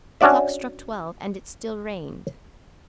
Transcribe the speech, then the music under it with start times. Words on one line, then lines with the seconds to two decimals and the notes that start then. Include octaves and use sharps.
The clock struck twelve, and it still rained.
0.21 C#4 D4 F#4 D5 E5